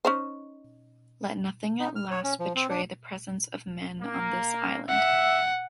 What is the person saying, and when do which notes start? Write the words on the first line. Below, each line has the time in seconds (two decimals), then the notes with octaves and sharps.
Let nothing at last betray the presence of men on this island!
0.05 C#4 D#4 C5
1.80 D#4
1.96 F6
2.11 C#5
2.24 C#4
2.39 F3
2.56 C4
2.69 D4
4.01 A#3
4.89 E5 F#5